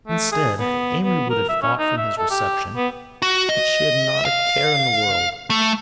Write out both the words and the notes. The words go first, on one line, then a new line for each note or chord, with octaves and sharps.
Instead, Amory would have thought from his reception that she had not a care in the world.
A3
G#4
B3
B3
A#4
E5
C#4
D#4
E5
A4
G4
B3
F#4
D#5
F5
A3